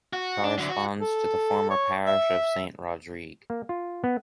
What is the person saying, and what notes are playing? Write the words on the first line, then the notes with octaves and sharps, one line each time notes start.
Corresponds to the former parish of Saint-Rodrigue.
F#4
D4
D3 F#3
F#4
A4
C#5
E5
A#3
F4
B3